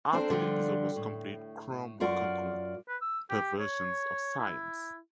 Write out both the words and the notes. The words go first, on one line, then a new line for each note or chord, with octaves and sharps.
After the episode was complete, Chrome would conclude "Perversions of Science".
C4 D4 A4 A#4 C5
D3 F3 G3
A2
F#2 F4 A#4 D5 F#5
B4
E6
G4
C#5
E4